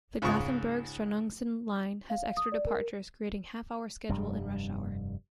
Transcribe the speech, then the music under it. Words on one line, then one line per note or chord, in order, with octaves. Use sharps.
The Gothenburg-Stenungsund line has extra departures creating half-hour schedule in rush hour.
C#2 G#2 F4 C#6 D#6
F5
D#6
D5
A#4
F1 G2 G3